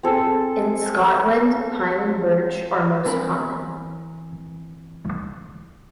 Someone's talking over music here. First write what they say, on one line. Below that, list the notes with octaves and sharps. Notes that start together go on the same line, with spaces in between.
In Scotland, pine and birch are most common.
C4 G#4 A4
E3 C4 A#4 A#5 B5